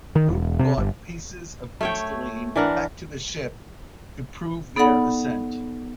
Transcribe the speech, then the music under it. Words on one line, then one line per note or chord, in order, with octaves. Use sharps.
The group brought pieces of crystalline back to the ship to prove their ascent.
D#3
E1
C3
G1
A3 C#5 G5
E3 D4 A#4 F#5
B3 D#4 A4 D5 F#5 B5